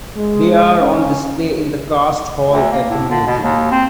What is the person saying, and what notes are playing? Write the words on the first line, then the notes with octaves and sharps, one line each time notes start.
They are on display in the Cast Hall at the museum.
G#3
C#4
D2
A#3
A2
D3
B2
D#2
C4